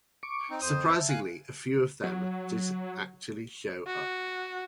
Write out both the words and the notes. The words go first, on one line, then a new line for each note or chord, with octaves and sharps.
Surprisingly, a few of them did actually show up.
C#6 D6
C4 D#4
F2 C5 D#6
E5 A5
F5 G#5 F#6
F#3
F#4